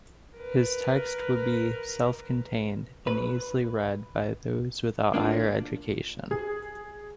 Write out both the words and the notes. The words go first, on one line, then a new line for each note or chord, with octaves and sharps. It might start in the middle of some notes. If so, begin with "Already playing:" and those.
His text would be self-contained and easily read by those without higher education.
A#4 B4
B4
A#3 D4 F4
G#4